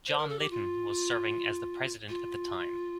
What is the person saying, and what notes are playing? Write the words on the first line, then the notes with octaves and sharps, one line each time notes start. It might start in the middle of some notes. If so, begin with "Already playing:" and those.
John Litten was serving as the president at the time.
C5
A#4
A4
G4
F4
F4